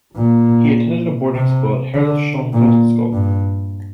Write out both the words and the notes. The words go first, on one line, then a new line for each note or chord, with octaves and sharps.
He attended boarding school at Herlufsholm kostskole.
A#2
C3
D3
A#2
G2